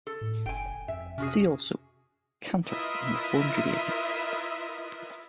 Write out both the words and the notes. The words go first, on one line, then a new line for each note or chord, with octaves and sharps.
See also: Cantor in Reform Judaism.
A4
A2
F#1 G5 G#5
F2 E5
C3 C#4 F#4 G#4
E4 F4 A#4 B4 D#5 E5